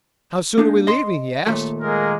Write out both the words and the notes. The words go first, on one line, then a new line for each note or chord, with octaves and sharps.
"How soon are we leaving?" he asked.
A#3 D4 D#4
D#5 C6
D#2 A#2 A3
G#3 A#3 A#4